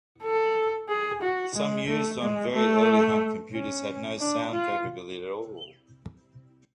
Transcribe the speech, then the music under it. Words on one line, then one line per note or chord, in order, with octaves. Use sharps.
Some used on very early home computers had no sound capability at all.
A4
G#4
F#4
G#3
A3
G#3
A3
C#4
D4
F4